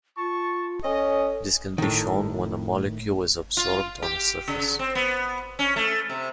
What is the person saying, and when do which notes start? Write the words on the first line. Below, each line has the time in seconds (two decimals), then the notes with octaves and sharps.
This can be shown when a molecule is adsorbed on a surface.
0.18 F4 A5 C#6
0.84 C#4 A4 D#5
1.78 A2 D#3
3.57 F4
4.02 G4
4.48 C#3
4.79 C4
4.95 B3
5.59 C#4
5.76 A3
6.09 C3